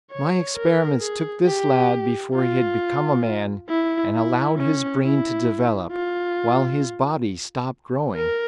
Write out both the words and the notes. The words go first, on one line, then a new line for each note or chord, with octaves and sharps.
My experiments took this lad before he had become a man, and allowed his brain to develop, while his body stopped growing!
C#5
A#4
G#4
G4
F4
E4
E4
C#4
E4
F4
A#4